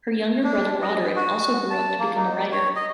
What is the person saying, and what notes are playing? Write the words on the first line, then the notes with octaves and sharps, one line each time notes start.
Her younger brother Roderick also grew up to become a writer.
D4
D#5
F#4
A5
A#3
D#4
C#5
D#5